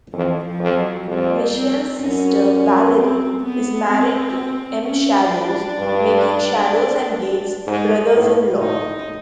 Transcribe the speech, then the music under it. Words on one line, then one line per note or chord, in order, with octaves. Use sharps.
Michelle's sister, Valary, is married to M. Shadows, making Shadows and Gates brothers-in-law.
F2 E3
F3
F2
F#3
F2 G3
C4
F#2 C#4
C4
B3
C4
C#4
D4
G2
G#2 D#4
A2
A2 D#4